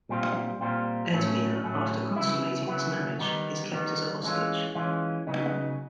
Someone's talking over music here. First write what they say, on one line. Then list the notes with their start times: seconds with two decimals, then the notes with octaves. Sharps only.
Edmure, after consummating his marriage, is kept as a hostage.
0.09 A#2 G3 C4 F4
0.61 A#2 G3 C4 F4
1.12 A2 F#3 A3 C#4
1.64 A2 F#3 A3 C#4
2.16 C#3 F#3 B3 E4
2.67 C#3 F#3 B3 E4
3.19 D#3 G3 B3 D#4
3.72 D#3 G3 B3 D#4
4.23 E3 G#3 C#4 F4
4.75 E3 G#3 C#4 F4
5.27 C#3 F#3 B3 D#4